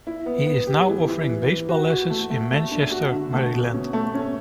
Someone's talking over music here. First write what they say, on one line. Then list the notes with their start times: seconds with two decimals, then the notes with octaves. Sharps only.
He is now offering baseball lessons in Manchester, Maryland.
0.07 E4
0.26 B3
0.46 B3
0.67 G4
0.88 E3
1.08 E3
1.29 E3
1.49 E3
1.69 F#4
1.90 F#4
2.10 A3
2.30 A3
2.51 A3
2.71 D4
2.91 F#4
3.12 D3
3.33 A3
3.53 B2
3.74 C#4
3.93 A3
4.14 C#4